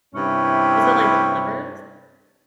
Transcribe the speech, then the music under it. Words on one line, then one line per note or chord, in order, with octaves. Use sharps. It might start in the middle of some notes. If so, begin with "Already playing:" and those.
Was it, like, slivers?
G2 C3 C#4 E4